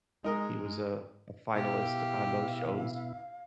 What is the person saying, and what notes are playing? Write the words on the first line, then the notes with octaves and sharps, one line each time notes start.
he was a a finalist on those shows.
G#3 D#4 A#4 D#5
B2 E4 G4 F5